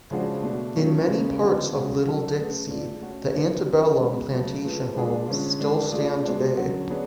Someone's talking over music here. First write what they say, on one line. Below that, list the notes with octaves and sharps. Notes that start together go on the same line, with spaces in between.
In many parts of Little Dixie, the antebellum plantation homes still stand today.
C#3 F3 G#3 D4 F#4
B2 A3 D4
F#3 A3 C#4 F4
C#3 G#3 C#4
D3 F3 B3 F#4
C#3 G#3 C#4 F#4
D3 F#3 C#4 F#4 A4
A3 C#4 G#4 B4
A3 F4 G#4 D5
A3 C#4 F#4 C#5
C#3 F#3 B3
F#3 C#4 F4 B4
C#3 G#3 B3
C#3 F#3 A3
A3 F4 G#4 B4
G#3 D4 F4 G#4
D3 G#3 C#4 F4
D3 G#3 D4
A3 F4 G#4 D5
B2 G#3 D4
D3 F#3 C#4 F#4
B3 D4 G#4 C#5